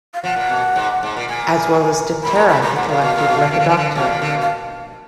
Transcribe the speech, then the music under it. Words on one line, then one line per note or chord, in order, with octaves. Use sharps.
As well as Diptera he collected Lepidoptera.
F5
F3 F#5
A#2
B2
G#2
G#2
A#2
A#2 G#5
G#2 B5
A#2 A#5
G#2 B5
A#2 A#5
G#2 F#5
A#2 F5
B2
A#2
B2
D3
D#3
D3
D#3
D3
B2 F5
A#2
D3
B2
F5